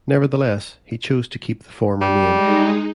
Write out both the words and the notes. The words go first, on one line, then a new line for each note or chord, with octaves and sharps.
Nevertheless, he chose to keep the former name.
G3
G#3 D#4